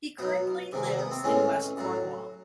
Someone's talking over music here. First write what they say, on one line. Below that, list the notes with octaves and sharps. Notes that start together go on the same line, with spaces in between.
He currently lives in West Cornwall.
B2 F#3 B3
C3 D#3 G#3
A#3
B3
C4
A2 E3 G#3 C#4
A2 F#3